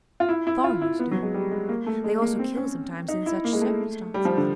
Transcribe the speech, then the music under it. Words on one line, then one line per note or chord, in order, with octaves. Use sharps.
Foreigners do; they also kill sometimes in such circumstances.
F4
E4
E4
F4
E4
B3
F#3
G#3
G3
G#3
A#3
A3
G#3
A#3
C4
C#4
D#4
E4
A#3
G#3
A3
G3
F3
D3